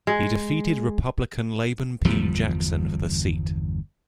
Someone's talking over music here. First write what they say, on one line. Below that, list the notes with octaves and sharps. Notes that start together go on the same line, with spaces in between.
He defeated Republican Laban P. Jackson for the seat.
G#3
G1 E2 F3 G3